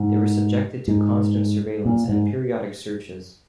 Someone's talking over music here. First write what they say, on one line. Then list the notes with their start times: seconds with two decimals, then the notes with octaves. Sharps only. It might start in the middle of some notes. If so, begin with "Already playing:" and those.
They were subjected to constant surveillance and periodic searches.
Already playing: G#2
0.88 G#2
1.85 A#2
2.09 G#2